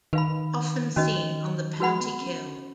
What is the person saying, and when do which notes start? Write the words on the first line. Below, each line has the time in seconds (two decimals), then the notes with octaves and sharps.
Often seen on the penalty kill.
0.13 D#3 B4 F5 B5
0.96 D#3 C#4 F#4 B4 D#5
1.80 F3 F#4 B4 F#5 B5
2.01 B3
2.21 C#4